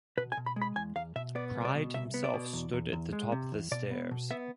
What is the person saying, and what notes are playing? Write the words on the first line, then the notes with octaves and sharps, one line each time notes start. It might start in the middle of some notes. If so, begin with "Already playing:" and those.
Pride himself stood at the top of the stairs.
B2 B4
G#5
B2
B5
G#3
B5
E2 G#5
E2 F5
B2 E5
B3 D5
C2
D5
B2
C2 E5
B3
D5
B2
E2
E2
E2
G#3
C3
E2
B2 D5
B3
B2
B3 E5